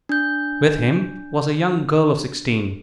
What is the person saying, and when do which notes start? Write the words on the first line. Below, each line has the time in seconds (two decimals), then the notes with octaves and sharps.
With him was a young girl of sixteen.
0.09 D4 G6